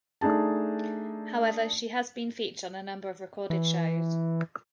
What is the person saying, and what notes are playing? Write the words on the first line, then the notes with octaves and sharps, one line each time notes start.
However, she has been featured on a number of recorded shows.
A3 D4 D#4 G#4 A5
E3